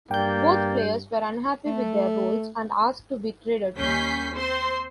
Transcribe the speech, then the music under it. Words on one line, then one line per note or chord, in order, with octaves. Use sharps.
Both players were unhappy with their roles and asked to be traded.
G2 A#3 D5 G5 G6
A3
D#2 G3 C#4 G6 B6 C7
C4 C5 C6